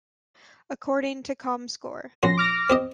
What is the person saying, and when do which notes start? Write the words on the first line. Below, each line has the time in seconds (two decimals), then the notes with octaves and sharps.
According to comScore.
2.23 A#1 C#4 F#4 C6 A#6
2.37 D6 F6 A#6
2.70 C4 G4 D#5